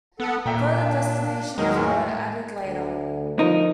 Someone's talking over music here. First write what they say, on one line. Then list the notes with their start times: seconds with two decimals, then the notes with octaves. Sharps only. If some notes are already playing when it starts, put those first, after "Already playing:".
Further destinations were added later.
0.20 B3 A4 F#5
0.46 D#2 A#2 E5 G5 A#5
0.72 D4
1.58 E2 D#3 E3 F#3 G#3 D#4 A#4
1.77 A2
2.65 D2
3.39 F3 D#4 A#4